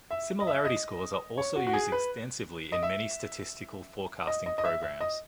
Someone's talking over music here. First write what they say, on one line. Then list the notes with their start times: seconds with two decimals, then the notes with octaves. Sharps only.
Similarity scores are also used extensively in many statistical forecasting programs.
0.11 E5
0.40 D#5
0.47 E5
0.65 D#5
1.38 C#5
1.56 F#4
1.67 F#4
1.73 G#4
1.92 B4
2.72 D#5
2.83 E5
4.27 D#5
4.46 D#5
4.58 D#5
4.64 E5
4.82 E5
5.00 D#5